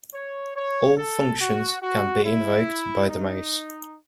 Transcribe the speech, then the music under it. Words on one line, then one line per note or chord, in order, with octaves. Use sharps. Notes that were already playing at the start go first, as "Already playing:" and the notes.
All functions can be invoked by the mouse.
C#5
C#5
A4
F#4
F#4
E4
D#4